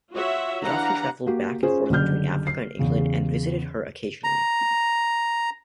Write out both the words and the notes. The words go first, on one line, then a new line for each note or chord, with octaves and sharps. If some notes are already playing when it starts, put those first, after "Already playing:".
He often travelled back and forth between Africa and England, and visited her occasionally.
F4 F#4 C#5 E5 F#5
E3 D4 G4 F5 F#5 A#5
A#3 F#4 G4
C#4 F4 G#4 C5
F#1 D3 G3 G4 F6 G6
C7
E2 C#3
A#5